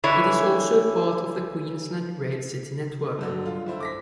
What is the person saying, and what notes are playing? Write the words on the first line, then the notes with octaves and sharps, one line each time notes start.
It is also part of the Queensland Rail City network.
D3 E3 E4 C#5
G2 D3 F#3
F4
D3 E4 C5
D6 A#6 B6